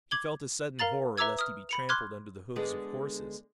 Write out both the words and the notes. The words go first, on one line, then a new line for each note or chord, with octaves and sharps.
He felt a sudden horror lest he be trampled under the hoofs of horses.
D6 G#6 F#7 G7
A#4 F5 A#5 A6 F#7
B4 E5 A#5 D6 E6 G#6
D#6 F6
B5 C#7 F7
C6 D6 F6 F#6 G#6
D3 G#3 B3